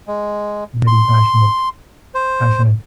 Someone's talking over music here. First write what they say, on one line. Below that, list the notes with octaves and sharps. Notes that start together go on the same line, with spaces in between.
Very passionate. Passionate.
G#3
C6
C5